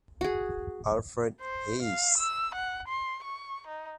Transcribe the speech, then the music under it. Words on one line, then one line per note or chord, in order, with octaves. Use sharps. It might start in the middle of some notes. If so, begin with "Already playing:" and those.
Alfred Hayes.
F#4 G#4
C5
F5
E6
F#5
C6
C#6
D#4